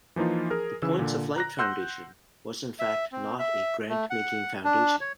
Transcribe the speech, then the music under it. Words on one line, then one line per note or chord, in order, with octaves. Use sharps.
The Points of Light Foundation was in fact not a grant-making foundation.
E3 F3 A#3 D#4 F4
G#4 A#4 F6
C#3 E3 E6
A#2 D3
A#5 F#6 A#6
F#5 C6 E6 F#6 G6
E5
C4
E5
A3
F#5
D4
C#5